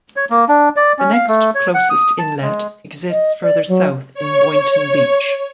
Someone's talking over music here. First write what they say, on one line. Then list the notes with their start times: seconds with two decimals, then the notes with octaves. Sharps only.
The next closest inlet exists further south in Boynton Beach.
0.16 C#5
0.30 A#3
0.48 D4
0.76 D5
0.99 C#4
1.13 F5
1.28 A3
1.55 C#5
1.74 F#5
1.90 D#6
2.19 A5
2.42 G#3
3.11 D#5
3.42 D5
3.69 F#3
4.14 C#5